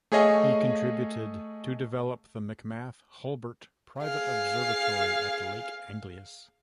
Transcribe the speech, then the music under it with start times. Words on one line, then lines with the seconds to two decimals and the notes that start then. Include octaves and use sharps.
He contributed to develop the McMath-Hulbert private observatory at Lake Angelus.
0.12 A3 G#4 C#5 D#5 F5 G#5
4.01 G#4 F5